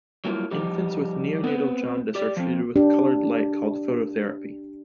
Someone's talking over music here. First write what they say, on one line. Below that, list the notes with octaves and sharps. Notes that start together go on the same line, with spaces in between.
Infants with neonatal jaundice are treated with colored light called phototherapy.
F#3 G3 A#3 E4 F4
F3 G3 D#4 G4
B3 C4 B4
G4 D5
F3 C4
D4 G4